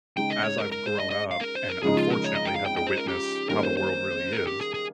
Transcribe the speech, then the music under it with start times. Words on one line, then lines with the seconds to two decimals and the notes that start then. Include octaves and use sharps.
as I've grown up and unfortunately had to witness how the world really is,
0.17 C#3 G#3 D#4 G5
0.30 D#5
0.44 C#5
0.58 A#4
0.72 A#4
0.86 C5
1.00 D#5
1.11 D#5
1.31 F5
1.41 A#4
1.55 C5
1.69 A#4
1.83 C#3 F3 G#3 D#4 G#4
1.97 F4
2.10 A#4
2.24 C#5
2.35 D#5
2.45 G5
2.56 F5
2.66 G5
2.77 G5
2.87 C5
2.97 A#4
3.08 G4
3.49 D#3 G3 A#3 C#4 A#4
3.63 C5
3.77 C5
4.33 A#4
4.47 G4
4.61 G#4
4.74 G#4